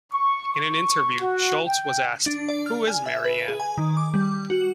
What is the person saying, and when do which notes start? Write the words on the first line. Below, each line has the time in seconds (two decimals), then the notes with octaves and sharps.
In an interview Scholz was asked, Who is Marianne?
0.13 C#6
0.52 C#6
1.20 F#4
1.66 G5
2.26 D4
2.49 D5
2.66 F6
2.87 G#5
3.06 E5
3.24 B4
3.48 G#4
3.60 G#5
3.78 D#3
3.97 D6
4.14 G3
4.50 F#4